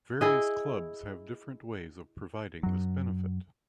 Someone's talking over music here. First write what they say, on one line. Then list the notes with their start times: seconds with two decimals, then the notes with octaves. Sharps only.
Various clubs have different ways of providing this benefit.
0.21 E4 G#4 D#5
2.63 F#2 F#3